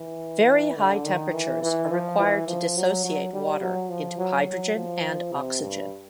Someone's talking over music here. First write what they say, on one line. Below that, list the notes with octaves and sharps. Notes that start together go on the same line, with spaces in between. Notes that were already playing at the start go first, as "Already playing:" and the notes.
Very high temperatures are required to dissociate water into hydrogen and oxygen.
Already playing: E3
D3
D#3
E3
E3
F3
E3
F3
F#3
F#3
G3
F#3
F3
F#3
F#3
F3
C3
G2